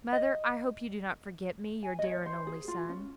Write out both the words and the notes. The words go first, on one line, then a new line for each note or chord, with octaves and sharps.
Mother, I hope you do not forget me, your dear and only son.
D#5
G#5
D#5
C#5
C5
G#4
F4
C#4